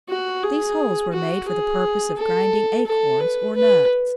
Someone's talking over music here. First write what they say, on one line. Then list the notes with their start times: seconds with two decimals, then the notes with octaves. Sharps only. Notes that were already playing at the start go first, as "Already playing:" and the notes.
These holes were made for the purpose of grinding acorns or nuts.
0.09 F#4
0.44 G#4
1.13 F#4
1.48 G#4
2.17 A4
2.86 A4
3.20 B4
3.56 B4